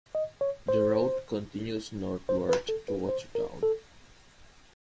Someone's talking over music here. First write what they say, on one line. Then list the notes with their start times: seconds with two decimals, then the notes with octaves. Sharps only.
The route continues northward to Watertown.
0.15 D#5
0.41 C#5
0.68 C5
2.29 C5
2.49 B4
2.69 A4
2.88 B4
3.09 C5
3.35 A#4
3.63 A4